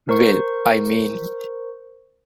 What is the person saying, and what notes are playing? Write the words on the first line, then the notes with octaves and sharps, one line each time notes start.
Well, I mean!
A#4 C5 C#6